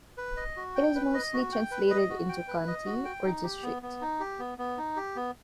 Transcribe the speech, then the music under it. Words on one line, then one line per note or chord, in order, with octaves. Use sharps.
It is mostly translated into "county" or "district".
B4
D#5
F#4
G5
B4
D#5
F#4
G5
B4
D#5
F#4
G5
B4
D#5
F#4
G5
D#4
G4
B3
B3
D#4
G4
B3
B3
D#4
G4
B3